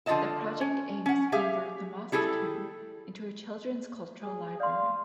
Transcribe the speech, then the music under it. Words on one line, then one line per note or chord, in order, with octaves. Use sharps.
The project aims to convert the mosque-tomb into a children's cultural library.
D3 F3 F4 D5 D#5 A5
C#4
C#4 F#5
G4 G#4 E5 F5
G3 E4 G#4 A4
G#4
D5 F5 C6